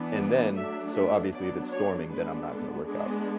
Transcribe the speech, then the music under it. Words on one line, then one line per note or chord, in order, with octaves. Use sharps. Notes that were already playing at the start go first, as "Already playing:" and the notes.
And then so, obviously, if it's storming, then I'm not gonna work out.
Already playing: E3 B3 D4
F#3 A3 D4 E5
E5
F#3 B3 D4 D5
C#5
G#3 B3 D4 B4
A4
G#3 B3 D4 G#4